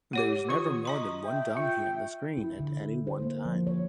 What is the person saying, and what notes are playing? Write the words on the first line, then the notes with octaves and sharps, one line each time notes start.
There is never more than one donkey on the screen at any one time.
G4 C#5 F#5
D#3 F4 C#6 D#6
D#5 A#5 C6
E5 G5
F4
E4
D3
C5
A#3
F3
C#5